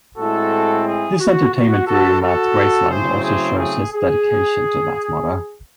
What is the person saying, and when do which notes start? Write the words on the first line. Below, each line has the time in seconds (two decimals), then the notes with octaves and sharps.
His entertainment room at Graceland also shows his dedication to that motto.
0.18 A2 G#3 C4 E4 F#4 A4
0.85 G#4
1.20 F#4
1.54 F#4
1.87 F#4 A4
2.21 F#4 A4
2.89 C#3 F#3 A3 C4 E4 G#4 C5
3.23 G#4 C5
3.57 G#4
3.91 G#4